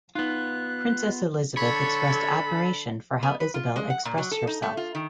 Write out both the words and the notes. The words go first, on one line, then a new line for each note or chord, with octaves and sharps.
Princess Elizabeth expressed admiration for how Isabel expressed herself.
B3 D#4 F4 F#6
D3 A4 C#5 B5
B3
B4
F4
G#3
F#5
A#2
F#3
A4
D#4
A3
F4
D#3